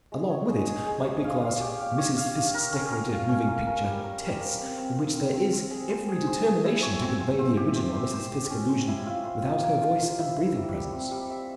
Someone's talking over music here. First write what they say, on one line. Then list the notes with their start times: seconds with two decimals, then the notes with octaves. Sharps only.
Along with it might be classed Mrs. Fiske's decorative moving picture Tess, in which there is every determination to convey the original Mrs. Fiske illusion without her voice and breathing presence.
0.12 G#3
0.30 C#5
0.49 G#3
0.68 G#4
0.86 G#4
1.05 C#5
1.24 F5
1.42 F5
1.61 G4
1.80 G4
1.98 C#5
2.17 F5
2.35 F5
2.54 A#4
2.73 C#4
2.91 A#4
3.10 F5
3.29 C#4
3.47 A#3
3.66 A#4
3.84 G3
4.04 A#4
4.22 G3
4.40 A#4
4.59 C4
4.77 C4
4.96 C4
5.15 C4
5.33 C4
5.53 C4
5.71 G#4
5.90 C5
6.08 G#4
6.27 C5
6.45 G#4
6.64 E4
6.82 C#5
7.01 C4
7.20 C4
7.39 C4
7.57 G4
7.76 C4
7.95 C5
8.13 C5
8.32 G4
8.50 C#4
8.69 C5
8.88 E4
9.06 F4
9.25 C5
9.44 F4
9.63 A#3
9.81 F4
9.99 C5
10.19 E4
10.37 E4
10.55 G3
10.74 G3
10.93 C4
11.11 G3
11.30 E5